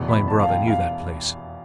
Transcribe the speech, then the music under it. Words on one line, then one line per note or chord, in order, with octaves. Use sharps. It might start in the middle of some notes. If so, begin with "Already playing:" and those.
My brother knew that place.
Already playing: F1 E2 B2
B5
A5
F5
G5
F5